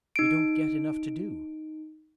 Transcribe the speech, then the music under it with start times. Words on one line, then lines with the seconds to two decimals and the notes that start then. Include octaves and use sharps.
We don't get enough to do.
0.16 D#4 D7